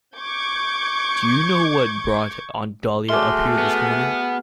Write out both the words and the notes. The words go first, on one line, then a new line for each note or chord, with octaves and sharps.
Do you know what brought Aunt Dahlia up here this morning?
C#6 D6 G6 G#6
A3 F#4 G#4 E5 C6 D6 F6
B3